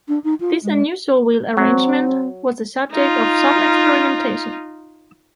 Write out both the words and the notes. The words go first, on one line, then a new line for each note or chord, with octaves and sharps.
This unusual wheel arrangement was the subject of some experimentation.
D4
D#4
F4
G#3
F#3 C4
D#4 F4